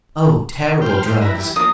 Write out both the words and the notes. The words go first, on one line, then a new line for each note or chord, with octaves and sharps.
"Oh! terrible drugs."
C5 G5 F6
E4 A#4 B4
E3 G3
F3 A#3 D4 D#6